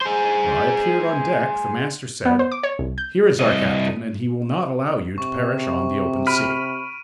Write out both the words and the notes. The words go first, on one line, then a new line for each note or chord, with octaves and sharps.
When I appeared on deck the master said, "Here is our captain, and he will not allow you to perish on the open sea."
G#4 C5
B3
C5
D6
C#5
C2
G6
C2 D#5
C3 C#6
B5 F6 B6 D7 D#7